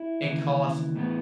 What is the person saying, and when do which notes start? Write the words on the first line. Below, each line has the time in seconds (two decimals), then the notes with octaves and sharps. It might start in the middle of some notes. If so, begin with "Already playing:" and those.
it costs
Already playing: E4
0.22 D#2 C#3 E3
0.96 A2 E3 B3